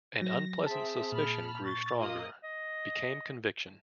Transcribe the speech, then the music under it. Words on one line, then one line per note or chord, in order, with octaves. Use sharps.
An unpleasant suspicion grew stronger; became conviction.
F#3 A#6
C4 G#4 E5 A5 B6
A#2 A5 B5 F6
C#6 A6
A#3 F4 D#5 D#6
D#5